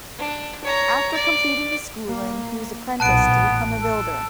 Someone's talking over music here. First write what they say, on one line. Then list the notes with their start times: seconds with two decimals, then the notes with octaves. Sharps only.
After completing his schooling, he was apprenticed to become a builder.
0.18 D4
0.64 C#5 A#5
1.14 D5
2.09 A#3
3.00 B1 A#2 B3 A5 F#6 D7
3.34 A1
3.82 A4